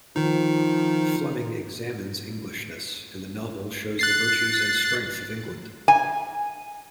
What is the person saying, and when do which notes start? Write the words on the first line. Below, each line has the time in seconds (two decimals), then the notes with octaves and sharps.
Fleming examines Englishness, and the novel shows the virtues and strength of England.
0.16 D#3 F3 D#4
3.99 F#6 A6 C7
5.88 G#5